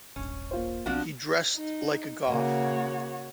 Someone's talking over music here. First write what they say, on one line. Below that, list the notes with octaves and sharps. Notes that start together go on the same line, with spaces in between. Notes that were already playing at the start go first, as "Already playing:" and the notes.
He dressed like a Goth.
D#1 G#1 C#4
A#3 F4 C5
B1 F3 B3 C4 D4 F#4
D#4
C#3 A#3 F#4 C#5